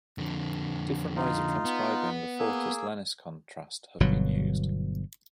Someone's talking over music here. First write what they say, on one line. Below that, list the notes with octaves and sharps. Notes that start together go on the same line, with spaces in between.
Different ways of transcribing the fortis-lenis contrast have been used.
F2 D3
D#4 F4
B3
A#3 G#4 E6
G1 B2 F#3